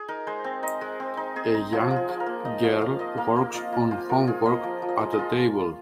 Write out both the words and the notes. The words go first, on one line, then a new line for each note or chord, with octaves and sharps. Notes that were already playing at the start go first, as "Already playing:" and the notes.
A young girl works on homework at a table.
Already playing: G#4
D#4 A#4
G#3 C5
C4
D#4 D#5
G#3
C4
D#4
C4 G#4
D#4
F3 G#4
F3
G#4
F3
A#4
A#3
D#4 D#5
F3 F5
F3 F5
A#3 D#5
A#3 F5
A#3
F4 D#5
A#3
F4 C5
F4 A#4
F4 G#4
A#3 D#5
F3
F3
D#5
G#3
D#5
F4